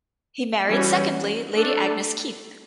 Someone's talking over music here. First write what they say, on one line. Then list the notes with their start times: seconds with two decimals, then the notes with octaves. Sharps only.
He married secondly Lady Agnes Keith.
0.68 E3 G3 C#4 F#4
1.56 A3 D4 A4